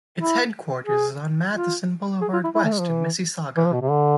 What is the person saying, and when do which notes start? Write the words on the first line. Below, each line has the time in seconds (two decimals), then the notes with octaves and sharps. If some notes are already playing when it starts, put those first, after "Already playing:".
Its headquarters is on Matheson Boulevard West in Mississauga.
0.19 E4
0.87 G#4
1.54 F4
2.22 G#4
2.33 F4
2.44 E4
2.55 E4
2.64 A3
2.72 G#3
2.80 F3
2.88 E3
3.57 E3
3.65 F3
3.73 B2
3.82 C3
3.90 D3